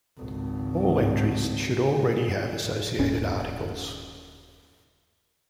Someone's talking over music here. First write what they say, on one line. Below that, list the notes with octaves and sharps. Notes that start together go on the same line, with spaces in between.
All entries should already have associated articles.
G#1 C#2
D#1 D#2 C#4